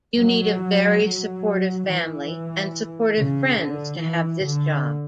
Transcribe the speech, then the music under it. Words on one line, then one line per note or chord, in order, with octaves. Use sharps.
You need a very supportive family and supportive friends to have this job.
F#3
F#3
E3
C#3
D3
E3
D3